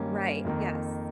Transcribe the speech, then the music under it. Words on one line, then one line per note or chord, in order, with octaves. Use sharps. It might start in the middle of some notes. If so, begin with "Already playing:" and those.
Right, yes.
Already playing: G2 D#3 A#3 C#4
F2 D#3 A#3